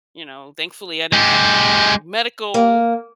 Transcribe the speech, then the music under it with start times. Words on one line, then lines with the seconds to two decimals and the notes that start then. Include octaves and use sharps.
you know, thankfully I didn't have anything like medical
1.13 G#3 G4
2.54 A#3